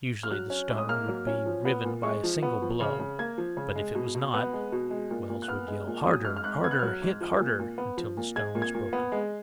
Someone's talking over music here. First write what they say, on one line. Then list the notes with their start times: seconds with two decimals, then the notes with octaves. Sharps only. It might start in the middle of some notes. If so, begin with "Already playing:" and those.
Usually the stone would be riven by a single blow; but if it was not, Wells would yell, "Harder! harder! hit harder!" until the stone was broken.
0.23 F6
0.31 F#3 F#6
0.50 C#4
0.70 G#2
0.78 D#6
0.89 A#3 F6
1.08 F#3
1.27 C#4
1.46 F3
1.65 B3
1.85 A#2
2.03 G#3 C#6
2.23 F3
2.43 B3
2.62 F3
2.80 C#3
3.00 C#3
3.19 A#3 G#6
3.38 F3
3.57 C#3
3.76 G#3
3.95 B2
4.15 B2
4.34 B3 F#6
4.53 G#3
4.72 B2
4.91 G#3
5.11 A#2
5.30 A#2
5.42 F#6
5.48 B3 F6
5.68 G#3
5.87 A#2
6.06 F#3 D#6
6.25 G#2 F6
6.37 F6
6.44 G#2 F#6
6.64 B3 G#6
6.71 F#6
6.79 F6
6.83 F#3 F#6
7.02 G#2
7.21 F3
7.40 A#2
7.59 A#2
7.78 B3
7.97 F3
8.17 A#2
8.36 G#3 G#6
8.55 A#2
8.62 G#6
8.74 A#2
8.93 B3
9.12 G#3